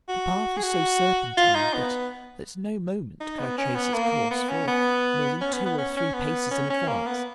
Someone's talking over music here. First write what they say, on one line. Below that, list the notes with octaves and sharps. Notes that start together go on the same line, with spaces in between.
The path was so serpentine, that at no moment could I trace its course for more than two or three paces in advance.
F#4
G#4
F#4
F4
D#4
B3
D#4
B3
C#4
B3
A#3
B3
C#4
B3
C#4
B3
B3
C#4
C#4
B3
C#4
C#4
A#3
B3